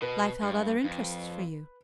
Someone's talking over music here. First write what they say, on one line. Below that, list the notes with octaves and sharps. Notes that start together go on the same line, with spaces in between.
Life held other interests for you.
B2 B4
G2
F2